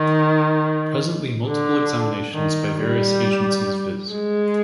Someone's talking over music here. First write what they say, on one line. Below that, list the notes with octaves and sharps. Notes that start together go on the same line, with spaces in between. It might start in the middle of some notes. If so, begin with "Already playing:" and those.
Presently multiple examinations by various agencies viz.
Already playing: D#3
D3
D#3
G3
G#3